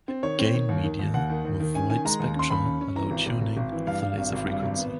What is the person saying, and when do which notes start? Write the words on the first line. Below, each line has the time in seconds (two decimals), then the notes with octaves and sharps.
"Gain media" with wide spectra allow tuning of the laser frequency.
0.08 C4
0.23 D#3 C#5
0.39 C4
0.54 D#3
0.69 D#2
0.84 D#3
0.99 D#2
1.14 D#2 F#5
1.30 D#3
1.45 D#2
1.60 D#3
1.75 C#4 G#5
1.90 D#3 G#5
2.05 G#3 A#5
2.20 D#2
2.35 C#4 C6
2.50 D#2 B5
2.66 C#4
2.81 C#4
2.96 E3 A#5
3.11 G#1
3.26 G#1
3.41 G#1
3.57 G#1
3.72 E3
3.87 G2 F5
4.02 G2
4.17 G#1
4.33 G#1
4.48 G2
4.63 G#1
4.78 B3